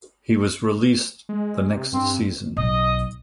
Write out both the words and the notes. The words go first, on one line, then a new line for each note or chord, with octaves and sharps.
He was released the next season.
G#3
C3
G2 C4
B1 D#5